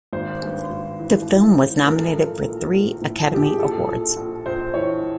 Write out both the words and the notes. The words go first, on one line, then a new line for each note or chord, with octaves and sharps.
The film was nominated for three Academy Awards.
G#1 C5
G2
G#1
E3
G#1
E3
A2 A#4
A4
A#4
F3
A#1
A#1
A2
A#1 G4
G#4
A#1 A4
A#1
A#1
A#1 C5
E3 C#5